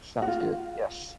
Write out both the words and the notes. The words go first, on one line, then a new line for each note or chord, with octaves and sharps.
Sounds good, yes.
F#4
F4